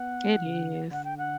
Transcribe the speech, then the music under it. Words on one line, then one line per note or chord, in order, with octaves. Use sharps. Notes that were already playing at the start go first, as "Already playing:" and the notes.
It is.
Already playing: B3 F#5
E3
C#3
D3
D3 F#5
G5
F#5